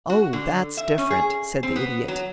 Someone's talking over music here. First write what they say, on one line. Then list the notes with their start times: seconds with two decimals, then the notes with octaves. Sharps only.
"Oh, that's different," said the Idiot.
0.10 F#4
0.33 D3
0.77 E5
0.98 C#4
1.10 G#4
1.63 C4
1.76 B3
2.08 F#3